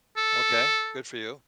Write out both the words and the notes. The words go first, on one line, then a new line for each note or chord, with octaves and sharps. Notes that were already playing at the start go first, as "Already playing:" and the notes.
Okay. Good for you.
A4